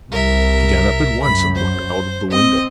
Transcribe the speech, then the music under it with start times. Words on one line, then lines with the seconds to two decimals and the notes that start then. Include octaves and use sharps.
She got up at once and looked out of the window.
0.11 C2 A#4 E5
1.23 F#2 B5
1.55 C5
2.30 C4 D#5